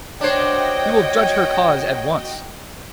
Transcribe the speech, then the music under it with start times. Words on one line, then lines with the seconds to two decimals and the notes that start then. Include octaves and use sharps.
'We will judge her cause at once.'
0.21 D4 F#4 C5 C#5 D#5 G5